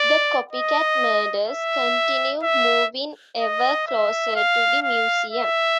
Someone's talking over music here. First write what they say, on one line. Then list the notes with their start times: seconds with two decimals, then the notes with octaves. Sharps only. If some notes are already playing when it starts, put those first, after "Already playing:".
The copycat murders continue, moving ever closer to the museum.
Already playing: D5
0.52 D#5
1.47 E5
2.43 E5
3.40 D#5
3.87 E5
4.35 F5
4.83 F5
5.30 E5